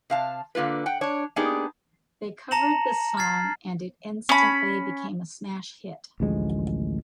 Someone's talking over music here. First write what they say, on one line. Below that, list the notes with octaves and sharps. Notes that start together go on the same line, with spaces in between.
They covered the song and it instantly became a smash hit.
C3 F5 A5
D3 A#3 F4 B4
F#5 G5
D4 C#5
A#3 B3 D4 D#4 G4 G#4
A5 A#5 A#6 C#7 E7 F#7
F6 G#6 A6 C7
C#4 B5
A1 D2 F3 G#3